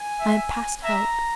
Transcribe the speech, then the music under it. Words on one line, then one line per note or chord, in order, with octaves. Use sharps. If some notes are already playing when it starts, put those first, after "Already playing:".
I am past hope.
Already playing: G#5
E5
E5 A#5